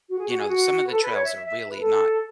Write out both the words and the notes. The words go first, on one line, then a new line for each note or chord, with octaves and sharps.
you know, some of the trails are really not,
F#4
G#4
F#4
G#4
F#4
B4
A4
B4
C#5
E5
E5
E5
B4
A4